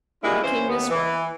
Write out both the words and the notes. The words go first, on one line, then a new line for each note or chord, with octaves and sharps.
I came this way.
G3 G#3 A#3 D4 E4 F4
E3 C#4 C5
D#2 B3
E3